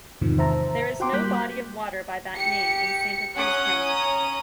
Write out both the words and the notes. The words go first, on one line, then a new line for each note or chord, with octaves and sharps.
There is no body of water by that name in Santa Cruz County.
E2 G#2 C3 D#3 F3
C5 E5 A5 A#5
F#4 F#5 G5 C6 D6
G3 A#3 D6 F#6 G6 B6
G4 C#7
C#4 F#5 A#5 D#6
A#5